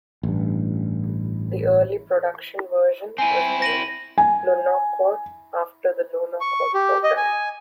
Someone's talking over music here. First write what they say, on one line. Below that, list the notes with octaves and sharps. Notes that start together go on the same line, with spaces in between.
The early production version was named "Lunokhod" after the Lunokhod programme.
A1 G2
C4 E4 G#5 D#7
A#6 D#7 F#7
G#5
C#6
G4
D#5
G#5